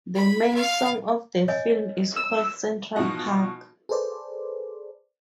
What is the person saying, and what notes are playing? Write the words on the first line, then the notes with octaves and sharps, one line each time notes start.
The main song of the film is called "Central Park".
B5
F5
C#5 D#5 G#5
E6
B2 E3 F3 D#4 F#4
G#4 A4 B4 C5 D5